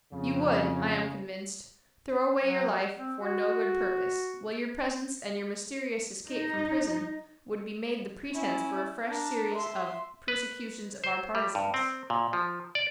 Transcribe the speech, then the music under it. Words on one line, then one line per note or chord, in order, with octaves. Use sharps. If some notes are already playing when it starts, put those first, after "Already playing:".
You would, I am convinced, throw away your life for no good purpose, while your presence and your mysterious escape from prison would be made the pretense for a fresh series of persecutions of our partisans.
F2 C#3
F#3
C4
F#4
D#4
C#4 E4
D4 A#4
E5 C6
B4
C5
G3
G2
C4
A#2
F3
D5